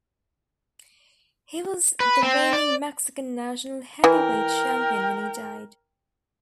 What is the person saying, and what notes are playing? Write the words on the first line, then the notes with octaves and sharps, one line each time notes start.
He was the reigning Mexican National Heavyweight Champion when he died.
B4
C4
D5
E3 A#4 G5